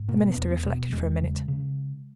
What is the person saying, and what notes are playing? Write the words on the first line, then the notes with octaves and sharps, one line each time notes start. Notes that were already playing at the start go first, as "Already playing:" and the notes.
The minister reflected for a minute.
Already playing: G#2
B2 A#3
B3
E2
B3
B2
E2 G#3
C#3
C#3